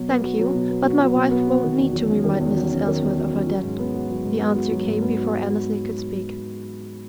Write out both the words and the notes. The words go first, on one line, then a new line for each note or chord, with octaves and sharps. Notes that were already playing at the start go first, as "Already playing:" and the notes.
"Thank you, but my wife won't need to remind Mrs. Ellsworth of her debt," the answer came before Annesley could speak.
Already playing: B2 F#3
B3
F#4
F#3
B2
B3
F#4
F#3
B2
B3
F#4
D#3
E2
F#3
C#4
D#3
E2
F#3
C#4
D#3
E2
F#3
C#4
F#3
G#2
B3
F#4
F#3
G#2
B3
F#4
F#3
G#2
B3
F#4